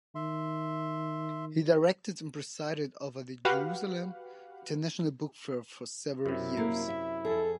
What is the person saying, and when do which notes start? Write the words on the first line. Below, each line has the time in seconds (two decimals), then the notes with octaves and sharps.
He directed and presided over the Jerusalem International Book Fair for several years.
0.15 D#3 E5 C6
3.45 F#4 G4 B4 F5 F#5
6.26 F#2 C3 E4
6.57 A#3
6.88 E5
7.25 F2 G#4 A4